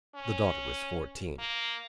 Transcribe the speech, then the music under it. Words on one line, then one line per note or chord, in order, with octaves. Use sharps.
The daughter was fourteen.
C#4
A#3